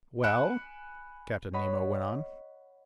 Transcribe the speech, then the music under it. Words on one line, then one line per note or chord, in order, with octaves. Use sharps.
"Well?" Captain Nemo went on.
G#5 B5 F#6 C#7 D7 E7
C#5 D#5 F#5 B5